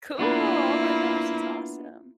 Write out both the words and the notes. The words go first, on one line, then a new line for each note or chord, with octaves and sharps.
Cool! Oh my gosh. That's awesome.
A#3 B3 D4 E4 F4 B4